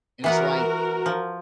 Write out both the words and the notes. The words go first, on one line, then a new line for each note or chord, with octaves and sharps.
And it's like
E3 B3 F#4 A#4 F#5
F3